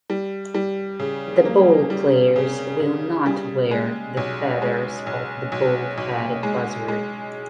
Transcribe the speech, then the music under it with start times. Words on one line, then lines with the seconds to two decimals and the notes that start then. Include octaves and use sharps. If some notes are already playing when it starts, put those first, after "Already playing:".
The ball-players will not wear the feathers of the bald-headed buzzard.
0.10 G3
0.54 G3
1.00 C#3
1.45 A#3
1.90 G3
2.36 C#3
2.80 C#3
3.26 G3
3.71 G#3
4.17 B1
4.62 G#3
5.07 B1
5.52 B1
5.98 B1
6.43 G#3
6.88 G#3